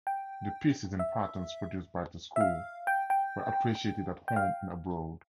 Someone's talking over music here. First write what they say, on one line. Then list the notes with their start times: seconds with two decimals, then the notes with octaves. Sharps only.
The pieces and patterns produced by the school were appreciated at home and abroad.
0.07 G5
0.99 E5
2.36 E5
2.41 F5
2.87 G5
3.10 G5
4.28 G5
4.36 F5